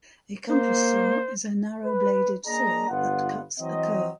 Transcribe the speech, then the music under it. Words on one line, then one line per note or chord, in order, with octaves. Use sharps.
A compass saw is a narrow-bladed saw that cuts a curve.
A#3 C5
B4
A#3 D4 G#4 D#5 A#5
G1 B3 F4 F#5
E3 F#3 C4 D#5